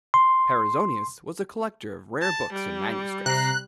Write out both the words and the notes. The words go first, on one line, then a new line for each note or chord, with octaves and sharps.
Perizonius was a collector of rare books and manuscripts.
C6
A5
G3
C3 A#5 F#6 C7